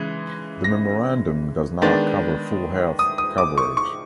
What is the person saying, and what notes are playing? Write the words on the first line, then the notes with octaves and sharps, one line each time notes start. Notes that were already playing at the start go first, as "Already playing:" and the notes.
The memorandum does not cover full health coverage.
Already playing: C#3 E3 G#3
A#6
D#3 G#3 B3 D4 A6
D#6
D#6
D6
C#6
C#6